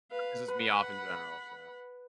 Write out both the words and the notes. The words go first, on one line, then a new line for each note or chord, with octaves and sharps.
pisses me off in general, so
B4 F5
B4 F#5 B5